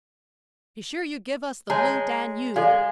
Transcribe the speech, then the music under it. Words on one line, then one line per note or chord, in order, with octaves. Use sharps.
Be sure you give us the Blue Danube.'
G#3 C#5 A5 A#5
G#3 A4 D5 F5